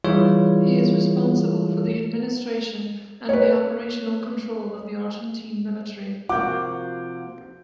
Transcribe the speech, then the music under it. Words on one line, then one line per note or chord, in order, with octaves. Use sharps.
He is responsible for the administration and the operational control of the Argentine military.
E3 G3 E4 F4 G#4 C#5
B4 C#5
C3 F3 A#3 F4 F#4 F#5 D6 G6